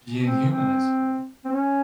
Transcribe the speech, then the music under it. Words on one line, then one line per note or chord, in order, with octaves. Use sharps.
being human, I suppose.
C4
C4
C4
C#4